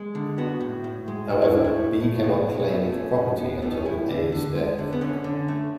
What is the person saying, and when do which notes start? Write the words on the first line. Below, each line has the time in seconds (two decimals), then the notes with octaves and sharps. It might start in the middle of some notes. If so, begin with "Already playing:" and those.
However, B cannot claim the property until A's death.
Already playing: G#3
0.15 D3
0.38 B3 F#4
0.61 A2
0.84 A2
1.08 G#3
1.30 A2 F#4
1.42 E4
1.53 A2 D4
1.64 E4
1.76 A3
2.00 A2
2.23 B2 B3
2.47 A3
2.59 C#4
2.69 A3 B3
2.92 A3 C#4
3.16 A2
3.38 B3
3.62 A2 B3
3.74 C#4
3.85 A2 E4
4.09 D3
4.32 D3
4.55 G#3
4.79 D3
4.93 B3
5.01 D3 C#4
5.24 D3
5.48 A3